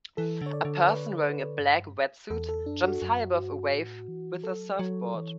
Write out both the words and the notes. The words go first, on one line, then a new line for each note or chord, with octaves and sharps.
A person wearing a black wetsuit jumps high above a wave with a surfboard.
E3 A4
D3 C#5
D5
D3
C#5
B4
G2
E2 A4
A4
F#2 D4
F#4
F#2
G2
A2
E3
F#3 A4
F#3 C#5
E3